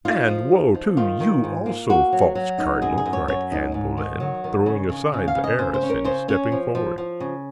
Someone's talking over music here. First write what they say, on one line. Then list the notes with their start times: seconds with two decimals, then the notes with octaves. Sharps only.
"And woe to you also, false cardinal," cried Anne Boleyn, throwing aside the arras, and stepping forward.
0.05 D#4 F4
0.28 F3
0.51 D#4
0.74 F3
0.97 D#3 F4
1.20 D#3
1.44 G#2
1.66 A#3
1.89 A#3 F#4
2.13 F#3
2.35 F#3
2.58 D#4
2.82 F#2 G#4
2.98 G#4
3.06 F#2
3.13 C#5
3.28 F#2 C#5
3.52 D#4
3.74 G#2
3.97 D#3
4.20 F#3
4.44 D#3
4.66 C#3
4.89 C#3
5.13 C#3
5.28 F5
5.36 C#3
5.44 D#5
5.59 C#3 C5
5.74 C5
5.83 C#4
5.90 A#4
6.04 C#3 C5
6.28 C#4 C#5
6.52 F3
6.75 F3
6.98 F3
7.20 C#3